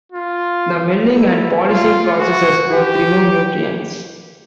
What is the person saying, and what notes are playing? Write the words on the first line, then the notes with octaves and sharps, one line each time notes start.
The milling and polishing processes both remove nutrients.
F4
E4
F4
F#4
G4